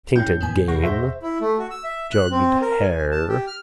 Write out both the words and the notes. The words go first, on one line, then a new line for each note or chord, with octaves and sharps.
Tainted game. Jugged hare.
A2 F#3 C#4 E4 G5 G6
F2 A2 D#3 B3 G#5
E2 B2 G#4 F#5 C#6 A#6
D#2 C5 E5 G6
E4
A3
F#4
E6
E5
F#6
C4
A#4
G#5
A5
G4
F6